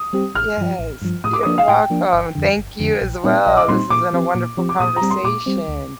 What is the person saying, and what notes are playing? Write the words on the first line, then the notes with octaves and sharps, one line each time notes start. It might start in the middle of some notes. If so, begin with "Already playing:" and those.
Yes, you're welcome. Thank you as well. This has been a wonderful conversation
Already playing: D#6
G3 C4 G4
A1 F6
G2 F3
A1
G2 F3
A2 D#6
D6
F3 A#3 D4 D#6
F5
A2 G5
F3 A#3 D4
G1
F2 D3
G1
F2 D3
A#1
A#2 G3 C4 D#4
A#1 D#5
D6
A#2 G3 C4 D#4 C6
A#2 D6
F3 C4 G4
A#2
F3 C4 G4
D6
A#2 D#6
A#5
G3 C4
C6
A#2 D6
G3 C4
D2